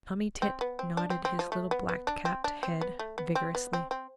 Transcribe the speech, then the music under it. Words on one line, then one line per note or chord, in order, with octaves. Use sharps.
Tommy Tit nodded his little black-capped head vigorously.
C4
B3
C4
D4
C4
C4
F3
A3
B3
B3
D4
C4
D4
C4
B3
A3
B3
C4
B3
C4
C4